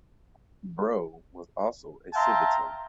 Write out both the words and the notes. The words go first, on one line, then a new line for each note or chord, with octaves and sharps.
Brough was also a Civitan.
E5 F5 G5 A5 A#5 C6